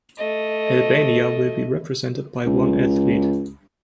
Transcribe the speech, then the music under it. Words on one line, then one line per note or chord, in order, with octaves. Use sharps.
Albania will be represented by one athlete.
A3 D#5
C#2